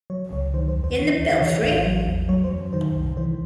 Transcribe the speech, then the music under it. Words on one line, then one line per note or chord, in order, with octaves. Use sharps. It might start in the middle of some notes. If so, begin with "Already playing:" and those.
In the belfry?!
F#3 C#5
C#2 C#5
D#3 C5
C5
E2
C5
E3 C#5
D#2
E3 C#5
A1
F#3
E2
F#3 C#5
C5
F#2
D#3 C5
C2
E3 C5